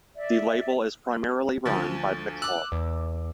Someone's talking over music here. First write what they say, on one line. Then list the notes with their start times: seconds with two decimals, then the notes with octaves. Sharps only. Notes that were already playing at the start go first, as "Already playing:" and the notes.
The label is primarily run by McClard.
0.17 D5 E5
1.66 D2 F3
2.42 D6 E6 F#6
2.72 E2